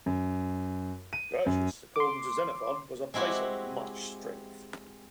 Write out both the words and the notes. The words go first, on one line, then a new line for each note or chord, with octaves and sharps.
Gergis, according to Xenophon, was a place of much strength.
F#2
D#7
F#2
C6 D6
G#3 C4 E4 F#4 G4